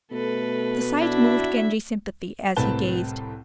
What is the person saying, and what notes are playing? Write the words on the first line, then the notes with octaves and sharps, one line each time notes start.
The sight moved Genji's sympathy as he gazed.
B2 A3 A4 B4
D4 E4 F#4 E5
C2 A2 C4 B4 A5 G7